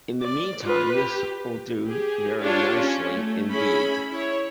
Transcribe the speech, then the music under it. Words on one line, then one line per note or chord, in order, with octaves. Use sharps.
In the meantime, this'll do very nicely indeed.
D5
F4 B4
G4
G4 G#4
D4 F4 G4 C#5
C#4
A3
C#4 E4 G#4 B5
E4 C#5